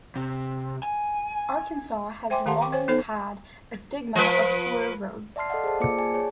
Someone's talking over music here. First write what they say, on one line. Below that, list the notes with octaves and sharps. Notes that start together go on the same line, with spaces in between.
Arkansas has long had a stigma of poor roads.
C3
G#5
C5 E5 G5 G#5 C6 D6
D#3 G4 F5 F#5 A5 C6
G5 C#6 D6
C5 C#5 G#5
B3 D#4 A4 C5
F3 B4
D5 E5 A5 C6 F6 C7
A4 D5 D#5 F5 F#5
G#4 C5 A5
A#3 F4 C5 D5 D6 C#7
G#4 D5 G#5 A5
G#4 C#5 G#5